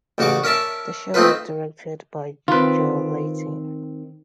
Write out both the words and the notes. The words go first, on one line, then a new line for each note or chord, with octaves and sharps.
The show was directed by Joe Layton.
A1 C#3 F#4 C#6 D6
C#4 A#4 D5 E5 A5
A3 C4 D#4 F4 B4
D#3 C4 F4 B4